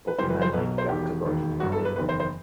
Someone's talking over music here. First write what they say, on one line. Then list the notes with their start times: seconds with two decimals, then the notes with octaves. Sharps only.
Both command line and graphical versions were available.
0.08 B4
0.18 F#1 F#2 E3 G3 C5
0.29 B4
0.41 C5
0.53 B1 B2 F#3 B4
0.78 C5
0.89 E1 E2 D#3 G4
1.25 E1 D#2 D#3
1.60 G1 G2 F#3 F#4
1.72 A4
1.85 B4
1.96 F#1 E2 D#3 B4
2.09 C5
2.20 C5